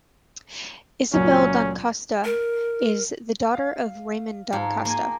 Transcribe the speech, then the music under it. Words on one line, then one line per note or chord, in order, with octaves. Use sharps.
Isabel Da Costa is the daughter of Raymond Da Costa.
C#2 A#2 F#3 C#4
A#4
F5
G#2 F3 F5 A#5
A#3 G#5